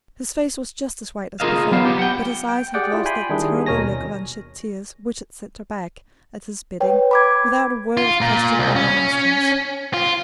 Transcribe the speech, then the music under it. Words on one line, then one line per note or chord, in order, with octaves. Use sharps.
His face was just as white as before, but his eyes had lost that terrible look of unshed tears, which had sent her back, at his bidding, without a word of question or remonstrance.
F4 G#4 A#4 D#5 F5
F#3 B3 F5
B3 G4
F#5 G5
G5
G4 G#4 D5 F#5 G5
E4 F4
G5 G#5 B5 C6
D#3 G3 D4 E4 G#4
D#2 B2 A#4 C#5 G#5 A#6
B4 C#5 G5
B5 D6 G#6
F4
A#2
C2
C#4
F4